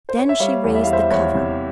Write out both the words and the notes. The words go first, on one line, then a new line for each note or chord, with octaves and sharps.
Then she raised the cover.
C5
C#5
E5
G3 C#5 F5
E2
E5
E2 F5
C5 E5
E2 C#5
C3